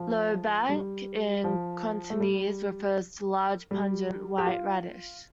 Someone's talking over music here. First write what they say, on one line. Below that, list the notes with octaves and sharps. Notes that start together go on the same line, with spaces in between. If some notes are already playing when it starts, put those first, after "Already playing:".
"Lo bac", in Cantonese, refers to a large, pungent white radish.
Already playing: F3
G3
F3
A3
G3
G3
G4
F4